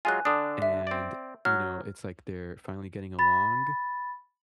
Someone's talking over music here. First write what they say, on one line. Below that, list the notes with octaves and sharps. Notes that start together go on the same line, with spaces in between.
and, you know, it's like they're finally getting along,
F#3 G#3 F4 G#5 F#6
D3 D4 D#6
E5
C4 D5
F#3 F6
B5 A6